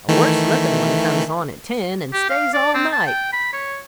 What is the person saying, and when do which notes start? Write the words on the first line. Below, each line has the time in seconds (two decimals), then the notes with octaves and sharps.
"A worse-looking one comes on at ten and stays all night."
0.08 D#3 E3 A3
2.13 G4
2.30 F5
2.54 D5
2.75 C4
2.93 A5
3.07 G5
3.33 B5
3.54 C#5